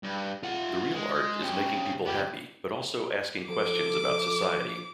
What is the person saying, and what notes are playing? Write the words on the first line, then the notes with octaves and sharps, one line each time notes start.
The real art is making people happy, but also asking questions about society.
G2
F4 F#5
G#3
C#3 G4
B3 G4
F3 A4 D6